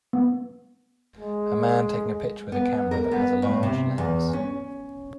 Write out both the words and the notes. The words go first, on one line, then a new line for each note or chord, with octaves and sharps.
A man taking a picture with a camera that has a large lens.
B3
G#3
B3
A#4
B3
A2
C3
E2
C#4